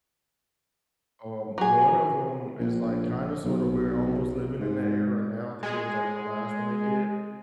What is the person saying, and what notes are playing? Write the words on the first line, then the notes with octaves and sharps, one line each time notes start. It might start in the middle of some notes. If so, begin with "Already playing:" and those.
um, one of 'em is, like, kinda sort of we're almost living in that era now; I think it was, like, the last one they did,
F#3 G#4
A#1
B1
G#2
G#3 G#4